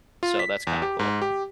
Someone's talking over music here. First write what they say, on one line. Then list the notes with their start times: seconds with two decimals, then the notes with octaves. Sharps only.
So that's kinda cool.
0.23 F4
0.39 B6
0.67 E2
0.82 G4
0.99 G#2
1.22 G4